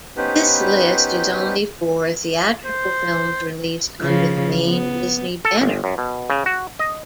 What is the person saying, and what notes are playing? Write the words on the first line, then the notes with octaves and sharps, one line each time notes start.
This list is only for theatrical films released under the main Disney banner.
B3 C#4 D#4 G4 B4 C5
C5
C#3 F3
B3
A4
G1
F#2
B2
C#3
F#4
D#5